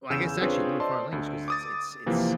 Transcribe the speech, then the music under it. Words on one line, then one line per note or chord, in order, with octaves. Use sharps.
well, I guess actually a literal foreign language 'cause it's it's it's
E2 C#3 E6 G6 E7
C4 D4 F4 G#4 B4 C#5
C5 D5 D#5 A5 C6
D2
D6 D#6 A6
C3 E3 F3 A#3 C4